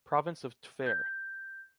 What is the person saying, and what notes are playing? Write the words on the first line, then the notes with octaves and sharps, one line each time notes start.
Province of Tver’.
G6